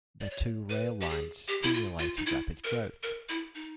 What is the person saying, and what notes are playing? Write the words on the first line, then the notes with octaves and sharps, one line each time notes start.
The two rail lines stimulated rapid growth.
D5
C#5
B4
G4
G#4
G4
E4
F4
F4
D#4
E4
A#4
A#4
E4
D#4